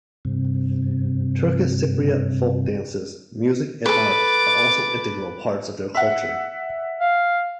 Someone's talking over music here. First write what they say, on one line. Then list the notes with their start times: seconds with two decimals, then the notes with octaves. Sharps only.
Turkish Cypriot folk dances, music, and art are also integral parts of their culture.
0.25 G2 C3
3.86 A4 B4 D6 A6
5.95 E5 F#5
7.00 F5